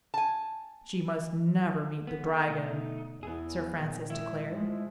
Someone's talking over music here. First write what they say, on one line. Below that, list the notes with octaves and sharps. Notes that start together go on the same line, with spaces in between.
"She must never meet the Dragon," Sir Francis declared.
G#5 A5
D3 B3
B2 A3 D#4
E2 B3 E4 G#4
A#2 D#3
G#2 E4
F3 G#3